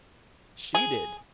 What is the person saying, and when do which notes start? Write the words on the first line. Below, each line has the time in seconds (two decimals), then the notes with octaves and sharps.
"She did."
0.75 G#4